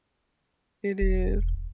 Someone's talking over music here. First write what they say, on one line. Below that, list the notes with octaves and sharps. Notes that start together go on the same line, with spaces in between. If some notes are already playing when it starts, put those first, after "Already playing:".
It is.
E1